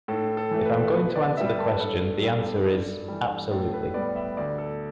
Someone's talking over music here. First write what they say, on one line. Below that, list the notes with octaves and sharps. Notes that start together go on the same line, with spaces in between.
If I'm going to answer the question, the answer is: absolutely.
A2 A4
A4
E3 A3
B4
B2 B4
D5
G3 B3 E5
A5
B4
G2 A4
G3 B3 A4
G2
E3 G3
A2 A4
B4
G3 B3 D5
E5
D2 D5
A4